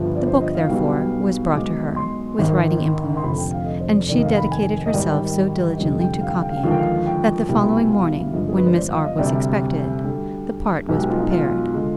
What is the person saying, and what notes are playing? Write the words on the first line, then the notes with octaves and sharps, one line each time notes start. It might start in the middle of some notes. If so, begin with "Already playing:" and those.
The book, therefore, was brought to her, with writing implements, and she dedicated herself so diligently to copying, that the following morning, when Miss Arbe was expected, the part was prepared.
Already playing: G1 G2 F3 B4
D5
C5
D#5
F5
B1 B2 G3
B1 B2 G#3 D6
C6
G#1 G#2 D#3
C6
F1 F2 D3 B5
G5
F5
D#5
C5
D5
F1 D#2 D#3 D5
D#5
F5
B5
G#5
D#5
G#1 G#2 D#3 G3 D5
F1 F2 D3 G3 D#5
G5
F5
G5
F5
G5
F5
G5
D#2 D3 F3 G#3 F5
G5
F5
G5
C2 B2 G3 G5
B5
G#5
F5
G1 G2 F3 G#3 D#5
G#4
B4
C5
D5
F5
D#5
D2 C3 G3 D5
D2 D3 G3
B1 B2 G#3
G4
F4
D#4
F4
D3 G#3